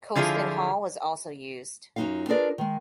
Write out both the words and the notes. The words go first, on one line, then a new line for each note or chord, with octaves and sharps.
Colston Hall was also used.
D3 F3 E4 F4 G#4
F#2 F#3 D4 D#4 F4 F5
D4 F4 G#4 A#4 B4 D5
D#3 G#3